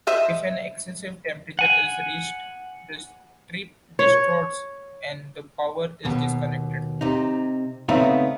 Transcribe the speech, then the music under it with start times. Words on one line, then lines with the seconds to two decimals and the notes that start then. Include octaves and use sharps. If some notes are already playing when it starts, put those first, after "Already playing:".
If an excessive temperature is reached the strip distorts and the power is disconnected.
0.07 C5 D#5 E5
1.59 F#5 G#5
3.99 C#5
6.05 D#2 B2
7.01 C3 D#4
7.89 C#3 A3 B3 C4 D#4